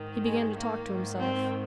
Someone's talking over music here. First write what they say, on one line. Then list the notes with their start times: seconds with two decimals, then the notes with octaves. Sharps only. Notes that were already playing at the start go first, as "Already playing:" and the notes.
He began to talk to himself.
Already playing: G#2 D#3
0.24 G#3
0.55 A#3
0.86 G#2 D#3
1.19 C4